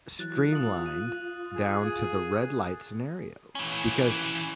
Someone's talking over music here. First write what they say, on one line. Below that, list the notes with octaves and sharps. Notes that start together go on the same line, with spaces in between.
streamlined down to the red light scenario because,
E3 F#3 F#6 A6
F4 D#6 F#7
D#7
G#4
E3 C#4